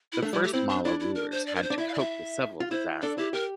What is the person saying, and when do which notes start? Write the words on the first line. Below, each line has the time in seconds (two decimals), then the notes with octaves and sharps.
The first Malla rulers had to cope with several disasters.
0.13 E4
0.22 A3 D4
0.33 G3 E4
0.44 A3 G4
0.53 C4 E4
0.69 D4
0.85 D4 E4
1.00 E4
1.15 A#4
1.31 C5
1.47 D5
1.55 A#4
1.63 C5
1.70 D4
1.78 E4 E5
1.88 F5
1.94 D5
1.99 E5
2.60 F4
2.71 E4 C5
3.02 D4 A4
3.18 E4 G4
3.33 G4 A#4